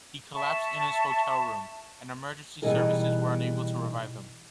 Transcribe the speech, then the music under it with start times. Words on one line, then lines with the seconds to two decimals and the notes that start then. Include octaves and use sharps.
He collapsed in his hotel room, and emergency services were unable to revive him.
0.34 E5 A5 C#6
2.62 B2 E3 G3 D#4 G#4 A#4